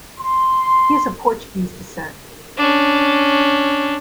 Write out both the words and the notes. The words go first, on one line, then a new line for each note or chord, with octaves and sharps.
He is of Portuguese descent.
C6
C#4 D4